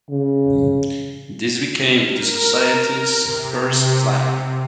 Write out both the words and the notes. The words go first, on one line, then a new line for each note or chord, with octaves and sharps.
This became the society's first flag.
C#3
A#4
C3